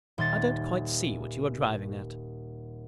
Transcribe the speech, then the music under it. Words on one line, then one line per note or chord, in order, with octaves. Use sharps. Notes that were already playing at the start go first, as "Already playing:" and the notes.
"I don't quite see what you are driving at."
D#1 C6 G#6 A6